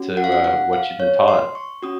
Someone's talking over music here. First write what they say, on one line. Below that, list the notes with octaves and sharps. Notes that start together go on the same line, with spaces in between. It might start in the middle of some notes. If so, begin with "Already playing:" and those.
to, uh, what you've been taught,
Already playing: C#4 F#4
F#5
F5
F#5
F#5
F5
C#5
C6
C#6
C#4 F#4 D#6